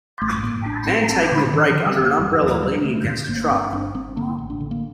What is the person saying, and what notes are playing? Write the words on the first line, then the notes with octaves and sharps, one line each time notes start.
Man taking a break under a umbrella leaning against truck.
A1 A3
A2 A#3
A1 D4
A2 C4
A1 C4
A2 D3
D3 D#3
F3
D3
G3
F1
A#3
F1 G3
D#2 F3
D3 G3
D3 A3
D3
G1 A#3
G2 C4
G1 D4
G1 C4
D3 A#3
A1
D4
D3
A#3